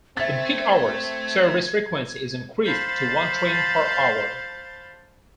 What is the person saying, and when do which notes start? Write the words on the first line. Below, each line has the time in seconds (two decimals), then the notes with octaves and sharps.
In peak hours, service frequency is increased to one train per hour.
0.17 A3 C4 E5 G#6 A6
2.66 C5 F5 A5 B5 G6 A6